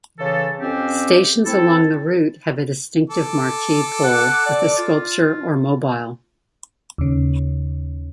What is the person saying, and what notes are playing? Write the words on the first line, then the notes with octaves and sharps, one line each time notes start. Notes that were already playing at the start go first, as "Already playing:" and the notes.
Stations along the route have a distinctive marquee pole with a sculpture or mobile.
C#3 E3 A4
F2 C4 C#4 G4
C4 E4 A4
A4 D6
F#5
D5
F4
D#2 C#3